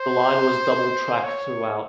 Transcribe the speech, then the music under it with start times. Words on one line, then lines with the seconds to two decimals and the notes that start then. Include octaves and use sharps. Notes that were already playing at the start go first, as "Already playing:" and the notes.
The line was double track throughout.
Already playing: C5
1.23 C#5